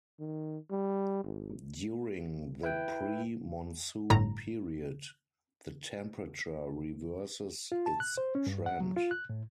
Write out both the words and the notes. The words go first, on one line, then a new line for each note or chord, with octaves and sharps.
During the pre-monsoon period, the temperature reverses its trend.
D#3
G3
G#1
E4 B4 G5
G1 A2 A#5
F4
A5
F#6
C5
C#4
G2
F#5
F#3
F4
F#6
A2